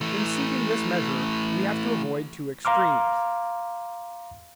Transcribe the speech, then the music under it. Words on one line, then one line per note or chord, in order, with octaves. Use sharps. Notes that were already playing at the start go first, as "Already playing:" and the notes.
In seeking this measure, we have to avoid two extremes.
E3 A3
F5 A#5 C6 D6 F6